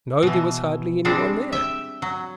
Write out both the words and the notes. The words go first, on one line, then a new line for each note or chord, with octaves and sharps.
No, there was hardly any one there.
B2 E3
G3 G#3 C4 D4
E5 G5
F#3